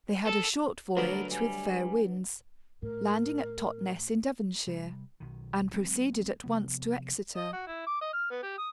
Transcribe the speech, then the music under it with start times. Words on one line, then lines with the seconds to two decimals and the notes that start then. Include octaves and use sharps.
They had a short voyage with fair winds, landing at Totness, in Devonshire, and proceeded at once to Exeter.
0.25 A4
0.97 D2 F#3 D4 A#4 B4 B5
1.31 G3 G#5
2.82 A2 A#4
4.67 C3 G3
5.20 B1 D#3
5.73 D2 F#3 G#3 C4
6.44 C3 F3 B3
7.37 D#5
7.53 F#4
7.67 E4
7.86 D6
8.01 D#5
8.14 F6
8.31 B3
8.43 G4
8.58 D#6